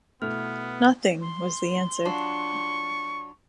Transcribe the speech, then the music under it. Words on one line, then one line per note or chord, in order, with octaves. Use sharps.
"Nothing," was the answer.
B2 A3 B3 E4 F6 F7
C6
F#3 D4 F4 C#6